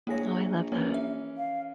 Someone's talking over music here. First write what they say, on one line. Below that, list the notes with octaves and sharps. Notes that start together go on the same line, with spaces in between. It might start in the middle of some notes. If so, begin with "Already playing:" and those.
Oh, I love that.
A#1 A#3 E4 G#4 C#5 A#6
E3 A#3 C#4 A#4
E5
F5